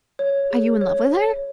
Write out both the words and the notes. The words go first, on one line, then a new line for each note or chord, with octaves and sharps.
"Are you in love with her?"
C#5
G#4
C#5
C#5